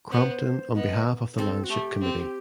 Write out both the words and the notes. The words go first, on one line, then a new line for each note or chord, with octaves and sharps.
Crompton on behalf of the Landship Committee.
B3 C5
B3 D#5
C4 A4
F#4
A3 G4
C4